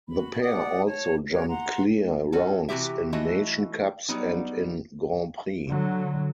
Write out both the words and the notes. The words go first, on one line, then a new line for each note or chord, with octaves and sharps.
The pair also jumped clear rounds in Nation Cups and in Grands Prix.
F#4 B5
G4 D5 F#5 D#6
C#5 A5
F#4 A#4 B4 C#5
F#5 A#5 C6
C#4 F#4 A4
C3 E3 F#4 G4 E5
E3 A3 F#4 D#5 E5
F#3 G3 B3 D#4
D3 F#3